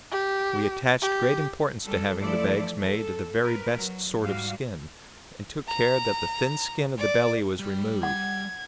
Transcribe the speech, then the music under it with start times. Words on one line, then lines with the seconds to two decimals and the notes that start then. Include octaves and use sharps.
We attached great importance to having the bags made of the very best sort of skin, and took care that the thin skin of the belly was removed.
0.11 G4
1.01 G4
1.86 G3 A4
2.19 E3 F3 A3 E4 A4 D5
2.82 A4
3.41 A#4 B4
3.78 F#3
4.20 G#2 G3 F#4 F5
5.68 A#5
6.98 D5
7.59 G3
8.03 F#5 G#6